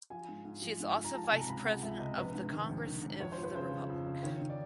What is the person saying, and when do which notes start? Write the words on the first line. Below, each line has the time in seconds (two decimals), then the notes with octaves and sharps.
She is also Vice President of the Congress of the Republic.
0.10 F3 G#5
0.28 G#2
0.45 G#2
0.62 F3
0.80 G#2
0.97 G#2
1.04 A#5
1.14 F3 A5
1.24 G#5
1.31 C3 A5
1.40 A#5
1.49 C#2 B5
1.65 G#3 F#5
1.83 C#2 E5
2.00 C3 D#5
2.17 A#1 B4
2.35 G#2
2.51 D#3
2.69 A#1
2.86 D#3
3.03 G#2
3.20 F2 C#5
3.32 C5
3.38 F3
3.43 B4
3.55 C#3 C5
3.71 F3
3.89 F2
4.06 C#3
4.23 D#3 C#5
4.41 D#3
4.50 D5